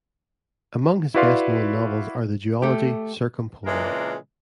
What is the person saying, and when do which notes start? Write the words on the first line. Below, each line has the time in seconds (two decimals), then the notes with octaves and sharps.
Among his best-known novels are the duology Circumpolar!
1.15 E4 F#4 B4 D5 F5 C6
2.62 A3 G4
3.66 A#2 C#3 E3 G#3 D4 A#4